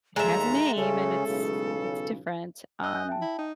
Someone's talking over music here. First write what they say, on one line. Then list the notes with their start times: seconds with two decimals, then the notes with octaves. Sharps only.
it has a name, and it's it's different, um
0.16 D#2 G#3 A3 E5 A#5
0.77 C#3 C#4 A4
1.27 B1 E2 C#3
2.83 D#5 D#6 E6 F#6
2.94 G#5 F#6 G6
3.09 E5 G5 A5
3.21 E4
3.39 D#4